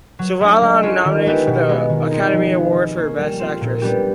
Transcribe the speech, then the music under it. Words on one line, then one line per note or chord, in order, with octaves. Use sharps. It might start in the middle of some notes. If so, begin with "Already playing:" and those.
Sullavan was nominated for the Academy Award for Best Actress.
F#3
A3 D4
G#3
C#4 F4 A4
D#3
G#3 B3 E4 G4
B2
G#3 B3
D#3
G#3 C4 D#4
F3
G#3 B3
F3
A#3 C#4
G3
C4 F4 A4
A#2
G3 B3 D4 G4